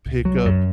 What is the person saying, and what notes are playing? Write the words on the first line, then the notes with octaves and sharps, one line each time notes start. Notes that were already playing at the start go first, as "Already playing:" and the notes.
pick up
C2
F#3
F#2